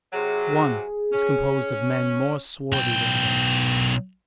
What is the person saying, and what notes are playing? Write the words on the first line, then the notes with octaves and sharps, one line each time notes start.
One is composed of men more swarthy than the others.
C3 F#3 G#4
C#4
B1 G5